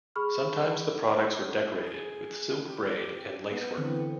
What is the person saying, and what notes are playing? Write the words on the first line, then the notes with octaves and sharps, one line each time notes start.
Sometimes the products were decorated with silk braid and lacework.
G#4 B5 C#6 F6
G#4
G4
B3
D3 E3 C4